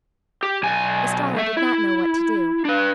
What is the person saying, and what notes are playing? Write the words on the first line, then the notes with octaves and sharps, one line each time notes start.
Estralla did not know what to do.
G4
B1 G#5
A3 E5
E4
D4 B4